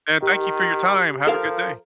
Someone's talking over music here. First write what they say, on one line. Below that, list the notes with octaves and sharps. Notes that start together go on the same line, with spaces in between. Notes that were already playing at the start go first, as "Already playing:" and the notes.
And thank you for your time. Have a good day.
D#3 G4
F3 A4 A#4 F5